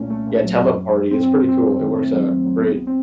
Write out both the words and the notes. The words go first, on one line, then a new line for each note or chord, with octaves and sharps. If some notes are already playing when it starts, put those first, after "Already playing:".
Yeah, Teleparty, it's pretty cool. It works out great
Already playing: C2 A#2 A3 C#4
A3
A#2
F#3
F#2
F#2
F#2
F#2 C4
C4
F#2
F#2 C4
F#2
D#3
A3
F#3
F#2
F#3
C2 B3
C4